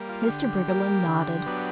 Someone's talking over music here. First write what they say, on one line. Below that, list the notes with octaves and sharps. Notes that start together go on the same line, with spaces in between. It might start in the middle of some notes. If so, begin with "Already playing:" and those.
Mr. Briggerland nodded.
Already playing: G3 A#3
F4
D3 G4
G3 A#3
D3
F#3 B3 D4